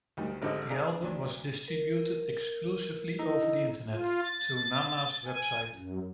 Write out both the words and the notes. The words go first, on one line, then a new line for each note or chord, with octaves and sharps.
The album was distributed exclusively over the Internet, through Nana's website.
D2 D#3 G3
G#1 D3 G4 C5 D#5
D4 G#4 F5 A#5
D2 F#3 D4
A#4
D#4 E4
F4
A6
G#5
F#2